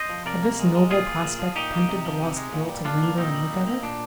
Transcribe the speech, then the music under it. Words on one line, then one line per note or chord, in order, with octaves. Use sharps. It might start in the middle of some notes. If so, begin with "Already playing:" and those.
Had this noble prospect tempted the lost girl to linger and look at it?
Already playing: C5 D#5
F3
C3 A#4 D5
A#3
G#3
G#3
A#2 F4 G#4
A#2
A#2
F3
A#2 D#4 G4
A#3
C3
F3
C3
G#3
A#2
G3
A#2 D4 F4
A#3
A#2 C4 D#4
G3
A#2
A#3
A#2 D4